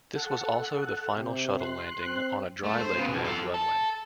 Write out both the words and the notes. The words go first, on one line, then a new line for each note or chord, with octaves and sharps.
This was also the final shuttle landing on a dry lake bed runway.
A4 F#5
C3 G4
C6 F#6
C4
A3
C5
C#3 B3
B1
F4 A4
A4